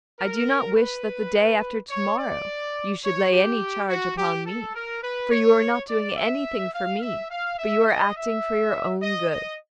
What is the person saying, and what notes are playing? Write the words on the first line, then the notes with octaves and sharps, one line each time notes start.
I do not wish that the day after to-morrow you should lay any charge upon me; for you are not doing anything for me, but you are acting for your own good.
A#4
B4
C#5
D5
C#5
G4
F#4
G4
A4
A#4
B4
C#5
D5
E5
F5
E5
F5
E5
D#5
E5
D#5
D#5